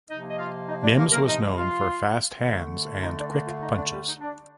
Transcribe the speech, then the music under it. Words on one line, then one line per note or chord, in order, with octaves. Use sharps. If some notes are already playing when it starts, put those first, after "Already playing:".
Mims was known for fast hands and quick punches.
C3 F3 A#3 D#4 D#5
D#5
F4 F5
D#4 D#5
D4 D5
A#3 A#4
A#3 A#4
D#4 D#5
F4 F5
D3 A3
D#4 D#5
D4 D5
A#3 A#4
F4 F5
D#4 D#5
D4 D5
G3 G4
D#4
D4